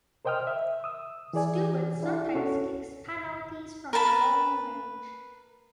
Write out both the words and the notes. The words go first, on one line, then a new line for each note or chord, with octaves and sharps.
Steward sometimes kicks penalties from long range.
A#4 C5 D#5 G5 D#6 F6
E5
D#6 E6
E3 G#4 D5 G#5
D4 E4
C#4 F#4 A4 C#5
A#4 B4 A5 B5